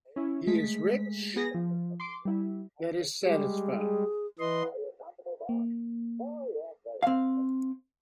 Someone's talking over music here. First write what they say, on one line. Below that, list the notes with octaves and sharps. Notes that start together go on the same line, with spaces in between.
He is rich that is satisfied.
C#4 E4
G#3 A3 B6
B3 G#4 A#6
F3
C6 D6
G3 E4
G3 G#3 G4
G#4
E3 B4 D#5 C6
A#3
C4 F5